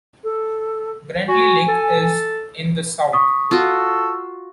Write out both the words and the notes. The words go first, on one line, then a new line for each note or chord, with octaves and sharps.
Bradley Lake is in the south.
A4
F#4 G#5
A4
C#6 D#6 B6
F4 F#4 A4